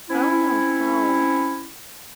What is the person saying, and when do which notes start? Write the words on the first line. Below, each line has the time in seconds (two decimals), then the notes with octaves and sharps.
I don't know how
0.10 C4 C#4 E4